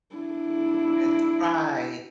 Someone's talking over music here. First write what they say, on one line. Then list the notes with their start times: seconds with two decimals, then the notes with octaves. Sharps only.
Yes. Right.
0.15 D4 E4